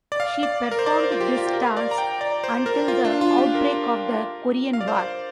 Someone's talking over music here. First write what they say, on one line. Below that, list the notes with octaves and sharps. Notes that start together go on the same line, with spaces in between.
She performed this task until the outbreak of the Korean War.
D5
F5
D5
A#4
C5
D5
C5
F4
G4
F4
G4
A#4
F5
D5
A#5
G5
D5
C5
A#4
F4
D4
F4
G4
A#4
F5
D5
C5